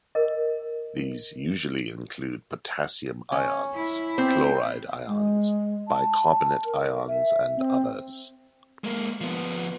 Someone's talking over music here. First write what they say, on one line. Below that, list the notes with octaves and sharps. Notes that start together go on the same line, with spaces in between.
These usually include potassium ions, chloride ions, bicarbonate ions, and others.
A#4 D#5
C#4
E4
C4
G#3
A5
A#4
E5
C4
G#3 A#3
F3 B3